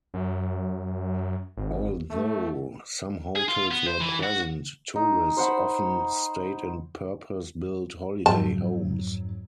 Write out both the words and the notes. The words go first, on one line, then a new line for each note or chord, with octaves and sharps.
Although some hotels were present, tourists often stayed in purpose-built holiday homes.
F#2
G#1
A3
G#4
F4
B3
C5
E3
F#4
D#4
C5 F#5 B5
F2 G#2 F#3 A5